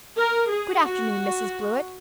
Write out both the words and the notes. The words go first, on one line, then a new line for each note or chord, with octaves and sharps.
Good afternoon, Mrs. Blewett.
A#4
G#4
F#4